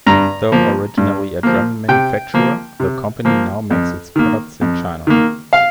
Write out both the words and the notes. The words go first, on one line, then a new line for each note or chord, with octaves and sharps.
Though originally a German manufacturer, the company now makes its products in China.
G2 A#5
F3 A#3
G2
F3 A#3
C3 G5
F3 A#3
C3
F3 A#3
F2
D#3 A#3
F2
D#3 A#3
F5